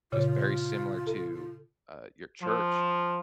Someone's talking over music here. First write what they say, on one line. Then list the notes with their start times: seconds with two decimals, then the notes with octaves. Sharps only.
just very similar to, uh, your church,
0.12 A#2 C#3 F4 C#5
1.07 A4
2.42 F3